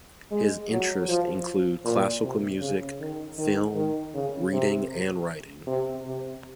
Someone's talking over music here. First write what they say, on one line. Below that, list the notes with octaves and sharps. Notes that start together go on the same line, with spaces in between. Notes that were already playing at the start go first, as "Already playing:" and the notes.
His interests include classical music, film, reading and writing.
G#3
F#3
F3
A#2
C3
C#3
D#3
D#3
D#3
C#3
C3
C3
C3